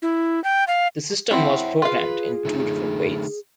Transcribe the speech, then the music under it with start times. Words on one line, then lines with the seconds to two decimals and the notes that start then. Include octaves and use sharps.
The system was programmed in two different ways.
0.02 E4
0.44 G5
0.67 F5
1.31 C4 E4 C#5 E5 F#5
1.82 F4 G#4 B4 F5
2.45 D3 A3 D#4